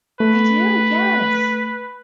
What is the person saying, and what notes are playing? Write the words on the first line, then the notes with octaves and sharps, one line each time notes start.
I do, yes,
A3 B4